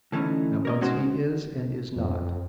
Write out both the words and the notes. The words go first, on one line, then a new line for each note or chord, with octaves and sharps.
At once he is and is not.
D3 E3 A3 C#4 D#4
A#4 C#5 D#5
G#2 C#4 F#4 C5
F2